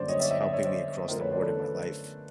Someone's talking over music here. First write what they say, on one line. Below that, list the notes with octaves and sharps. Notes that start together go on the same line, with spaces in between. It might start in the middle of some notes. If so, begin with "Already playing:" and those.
it's helping me across the board in my life,
Already playing: F#2 D3 G3 A#3 C5 D5
C#5 D#5
D5 E5
D5 E5
D5 E5
C#5 D#5
C5 D5
F#2 D3 F3 A3 C#4 A#4 C5
B4 C#5
C5 D5
A4 B4